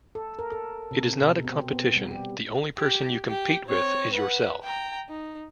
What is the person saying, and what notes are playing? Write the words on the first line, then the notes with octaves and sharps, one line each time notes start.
It is not a competition, the only person you compete with is yourself.
A4
A#4
A4
C3
B2
C4
B3
G3
G4
G4
G4 G5
C4 C#5
B4 F#5
G5 A#5
D#4